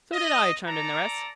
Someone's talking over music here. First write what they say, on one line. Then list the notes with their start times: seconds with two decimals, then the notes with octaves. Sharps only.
"So did I," chimed in the rest.
0.13 D#5
0.67 A4 D5 A#5